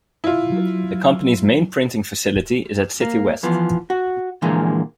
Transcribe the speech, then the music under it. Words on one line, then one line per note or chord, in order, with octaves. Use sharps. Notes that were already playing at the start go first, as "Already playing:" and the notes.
The company's main printing facility is at Citywest.
E4 F4
F#3
A#3
E3 F3 B3
F#4
A#2 D3 E3 F3 G#3 A#3